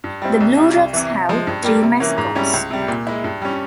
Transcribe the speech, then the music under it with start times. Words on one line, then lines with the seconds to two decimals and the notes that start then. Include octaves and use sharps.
The Blue Rocks have three mascots.
0.04 G2
0.22 G3 C4 E4
0.40 C2
0.57 C3 G3
0.76 C2
0.93 C3 E3
1.10 C3
1.29 F3 G#3
1.47 G2
1.63 G3 A#3
1.82 C3
2.00 E3 A#3 C#4
2.18 G#2
2.35 G3 C#4 E4
2.53 C#2
2.70 C3 G3
2.88 A#2
3.07 G#3 E4
3.24 G2
3.42 G3 C#4